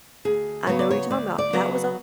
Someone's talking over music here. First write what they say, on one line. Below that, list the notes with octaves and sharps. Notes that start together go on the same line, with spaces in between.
I know what you're talking about, that was
D2 G#4
C#3 F#3 B3 C#5
D5
C#5
D2 D5
D5
C#3 F#3 B3